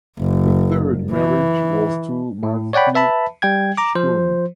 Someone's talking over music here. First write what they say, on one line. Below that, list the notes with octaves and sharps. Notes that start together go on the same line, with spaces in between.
Her third marriage was to Matthew Schoen.
F#1
E3
A2
C#5 D5 F#5 G5 B5
B4 E5 A5 B5
G3 G5 G#6
A#5 D6
F3 C5